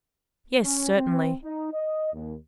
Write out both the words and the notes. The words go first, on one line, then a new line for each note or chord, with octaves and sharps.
"Yes, certainly."
C#4
C4
D#4
D#5
D#2